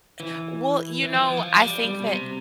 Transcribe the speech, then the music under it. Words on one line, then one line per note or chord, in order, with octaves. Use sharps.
Eh Well, you know, I think that
E3
E3
F3
E3
F3
G3
G3
B2
C3